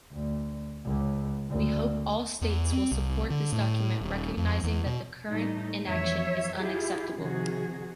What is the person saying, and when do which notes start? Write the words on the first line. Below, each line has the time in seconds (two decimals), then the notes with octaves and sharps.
We hope all the states will support this document recognizing that the current inaction is unacceptable.
0.13 D2
0.86 C#2
1.50 D2
2.41 E2
2.72 C4
2.91 C2
3.30 D3
3.52 A2
4.01 D#1
4.37 F2
4.63 E2
4.86 B2
5.28 A2 E3 G3 A3 D#4
5.84 F2 E3 F#3 C#5 E5
6.57 E4 F4 G4 G#4
7.17 C3 D#3 F3 F#4 G#4